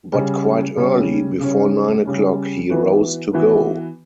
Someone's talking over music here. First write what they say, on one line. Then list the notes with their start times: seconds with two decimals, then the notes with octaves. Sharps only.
But quite early, before nine o’clock, he rose to go.
0.12 C#3 G3 C#4
0.77 C#3 G3 C#4
1.40 C#3 G3 C#4
2.05 C#3 G3 C#4
2.70 E3 B3 F#4 B4
3.33 E3 B3 F#4 B4